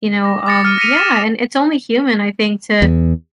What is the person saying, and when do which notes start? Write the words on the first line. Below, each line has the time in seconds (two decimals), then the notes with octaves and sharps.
you know, um, yeah, and it's only human, I think, to
0.24 D6 A#6
0.46 D6 D#6 A6 A#6 C#7
0.65 F6 C#7 D#7
0.78 A#6 B6 C#7 D#7 F7
0.97 A6 D#7 E7
2.82 E2